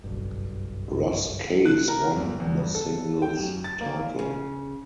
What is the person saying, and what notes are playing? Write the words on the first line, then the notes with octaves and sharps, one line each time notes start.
Ross Case won the singles title.
F#1 B1 G2
F#6
A#4
G1
E2
G2
A4
G5
F#2
A6
A#3
C#3